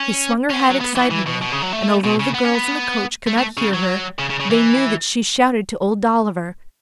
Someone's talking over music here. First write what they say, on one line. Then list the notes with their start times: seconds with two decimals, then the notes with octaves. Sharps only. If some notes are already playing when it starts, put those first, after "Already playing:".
She swung her hat excitedly and although the girls in the coach could not hear her, they knew that she shouted to Old Dolliver.
Already playing: C#4
0.50 C#4
0.59 B3
0.70 F#3
0.81 B3
0.96 E3
1.11 E3
1.27 B2
1.42 B2
1.52 C#3
1.62 F#3
1.73 A3
2.04 B2
2.20 C#3
2.34 B3
2.45 C#4
2.55 B3
3.27 A3
3.37 A3
3.57 C#3
3.74 F#3
4.19 C#3
4.30 C#3
4.40 C#3
4.50 E3